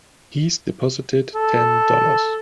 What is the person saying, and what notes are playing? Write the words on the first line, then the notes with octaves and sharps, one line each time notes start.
He's deposited Ten Dollars.
A4